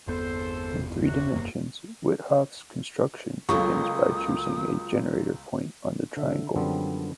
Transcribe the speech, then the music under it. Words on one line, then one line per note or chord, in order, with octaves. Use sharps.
In three dimensions, Wythoff's construction begins by choosing a "generator point" on the triangle.
G1 E2 B3 A4 C5
C3 F#4
E1 F#2 A#3
C#2 F#3 A#3 F4 A4 C#6 D#6
D3 E5
F#2 D3 F3 G3 B3 C4